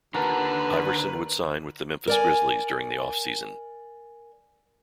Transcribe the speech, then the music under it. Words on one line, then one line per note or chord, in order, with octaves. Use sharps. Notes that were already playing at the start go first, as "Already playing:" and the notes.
Iverson would sign with the Memphis Grizzlies during the offseason.
D#2 D3 A#4 B4 F#5 A5
A#4 D5 G#5